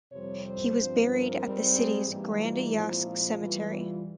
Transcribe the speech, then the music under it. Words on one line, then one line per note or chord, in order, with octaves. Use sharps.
He was buried at the city's Grand Jas Cemetery.
F2 C3 G3 C4 C#5
C5
G2 F3 C4
A#4
G#2 G3 C4
G#4
G#2 E3 G3 A#3 G4
F4
A#2 F3 G#3 C4 E4
F4
E2 E3 G3
F4